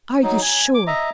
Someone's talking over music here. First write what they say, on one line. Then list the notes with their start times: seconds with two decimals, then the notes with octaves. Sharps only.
Are you sure?
0.23 F#3 D#4
0.42 G#5
0.74 D6
0.87 D#5 E5 A#5